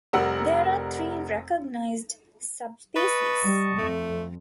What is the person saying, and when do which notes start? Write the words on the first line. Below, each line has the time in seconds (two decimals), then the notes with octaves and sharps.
There are three recognised subspecies.
0.13 F1 G3 A#4 F#5 E6
2.96 B4 D#5 A5 C#6
3.43 G3
3.78 F2 A3